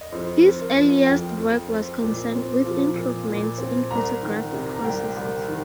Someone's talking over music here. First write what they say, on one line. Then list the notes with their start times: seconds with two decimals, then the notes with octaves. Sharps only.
His earliest work was concerned with improvements in photographic processes.
0.01 D#5
0.12 F2 C5
0.43 C4
0.59 A#4
0.76 F3
1.06 F2 G5
1.37 F2
1.70 C4
2.02 A#2
2.32 C4
2.65 F3
2.95 A#2
3.27 A#2
3.58 C4
3.91 C2 A#5
4.22 D#3
4.54 C3
4.75 A#5
4.85 C2 G5
5.16 C2
5.48 D#3